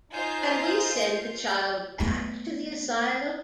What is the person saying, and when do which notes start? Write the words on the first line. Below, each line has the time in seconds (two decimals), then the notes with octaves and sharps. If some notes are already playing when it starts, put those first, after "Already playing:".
Can we send the child back to the asylum?
0.12 D#4 F4 C5 G#5 G6 C7
2.00 A3 B3